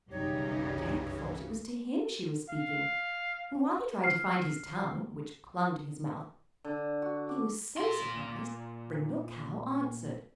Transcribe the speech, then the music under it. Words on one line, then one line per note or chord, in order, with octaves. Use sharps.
Jack thought it was to him she was speaking, and while he tried to find his tongue, which clung to his mouth, he was so surprised, Brindle Cow answered.
G1 C2 F#2 C#3 E3 D#4 G4 C#5
F5
F6 C7
D3
F#4
D6
A#2 C6